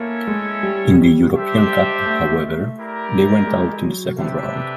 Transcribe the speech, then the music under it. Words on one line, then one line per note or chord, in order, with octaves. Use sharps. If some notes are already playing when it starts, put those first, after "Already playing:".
In the European Cup however, they went out in the second round.
Already playing: A#3 C#4 E4 A4 C#5 E5
G#3
G3
D4 G4 C5 E5 G5
A3
E4 G4 A#4 D5
G#3
F#3
C3 A3 D4 G4 B4 E5